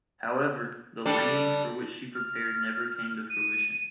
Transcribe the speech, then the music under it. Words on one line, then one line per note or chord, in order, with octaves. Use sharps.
However, the landings for which she prepared never came to fruition.
G3 D4 A4
F6
D#7